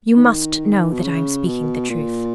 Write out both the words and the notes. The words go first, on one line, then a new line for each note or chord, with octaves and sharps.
You must know that I am speaking the truth.
D#3
B2
C#3
B2
A#2